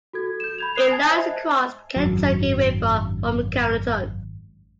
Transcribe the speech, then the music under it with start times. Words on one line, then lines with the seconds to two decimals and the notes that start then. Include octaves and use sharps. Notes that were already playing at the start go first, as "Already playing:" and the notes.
It lies across the Kentucky River from Carrollton.
0.13 F#4 A4 G#6
0.40 G6 E7
0.58 B5 G#6 F7
0.75 D#6 F#6 C7 F7
0.92 G#5 A5 G#6
1.10 C5 D#5 E5
1.96 G#1 F#2 F#3